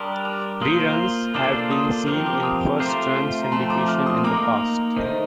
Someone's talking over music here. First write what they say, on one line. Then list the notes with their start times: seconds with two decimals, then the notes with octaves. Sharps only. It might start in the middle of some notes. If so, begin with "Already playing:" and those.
Reruns have been seen in first run syndication in the past.
Already playing: G3 D4 G4 A#4 C6 D#6
0.25 D6 F6
0.62 A#3 F4 C5 C6 D#6
1.34 A#3 D4 F4 A4 C5 D6 F6
1.70 C6 D#6
2.07 F3 C4 G4 A#4 F6
2.26 D6 F6
2.43 C6 D#6
2.79 A3 C4 F4 C5 A#5 D6
3.16 A5 C6
3.42 A#5
3.52 F3 A3 C4 A5 C6
3.70 A#5 D6
3.88 D6 F6
4.06 C6 D#6
4.24 A#3 D#4 A#4 A#5 D6
4.96 D#3 A3 D#4 C5 D#5